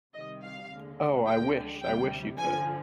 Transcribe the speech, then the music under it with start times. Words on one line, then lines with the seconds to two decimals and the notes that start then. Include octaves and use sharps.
Oh, I wish, I wish you could!
0.13 C2 C3 D#3 G3 D#5
0.42 F5
0.70 D#2 D3 G#3
1.26 D2 D3 F3 G#3 G5
1.82 D2 C3 G3 G5
2.38 G2 D3 F3 G#5